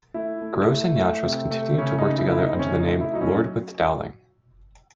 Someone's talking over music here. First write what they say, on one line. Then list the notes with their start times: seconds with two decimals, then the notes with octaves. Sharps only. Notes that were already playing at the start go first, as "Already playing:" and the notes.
Grose and Yatras continued to work together under the name Lord with Dowling.
0.14 A3 E4
0.41 A3
0.69 A3
0.96 A3
1.23 C3
1.51 A3
1.78 C#3 C#4
1.98 D#4
2.05 C#3
2.18 E4
2.32 A3 E4
2.39 D#4
2.55 C4
2.59 C#3 C#4
2.80 D#4
2.87 A3
3.01 E4
3.13 F#3 D#4
3.21 C#4